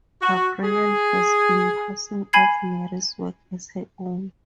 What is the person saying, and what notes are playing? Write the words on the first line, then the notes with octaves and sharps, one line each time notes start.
Gabrielle has been passing off Mary's work as her own.
F#4
G#4
G#5 B5 G#6 C7